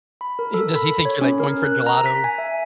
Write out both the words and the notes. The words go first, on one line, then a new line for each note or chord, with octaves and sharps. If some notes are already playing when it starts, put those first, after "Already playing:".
Eh, does he think you're, like, going for gelato?
B5
A#4
A4
B5
C#5
C#4
A#4
F#6
A#5
B6
G#5
E5